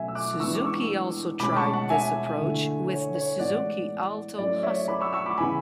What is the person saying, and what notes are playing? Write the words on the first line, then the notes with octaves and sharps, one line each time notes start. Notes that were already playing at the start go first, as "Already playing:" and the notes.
Suzuki also tried this approach with the Suzuki Alto Hustle.
Already playing: B2 F#3 A3 C#4 E5 G#5
E6
D6 F#6
E3 G#3 B3 D4 C#6 E6
D6
C#6 E6
B2 G#3 C#4 B5 D6
A5 C#6
F#5 A5
E5 G#5
D3 A3 E4
C#5
C#5
A2 E3 G#3 B3 D5 F#5
F#3 A3 C#4 E4 D5
C#5 E5
B5 D6
C#6 E6
C#6 E6
B5 D6
C#3 E3 B3 E4 G#5 B5